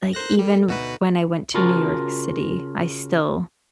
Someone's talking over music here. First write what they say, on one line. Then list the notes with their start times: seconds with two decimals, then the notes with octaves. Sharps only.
like, even when I went to New York City, I still
0.13 A4 A#4 C5 F#6 A#6
0.39 G3
0.68 D2 B2 D#4 F#4 B4 E5
1.54 C#3 F4 F#4 A#4 A5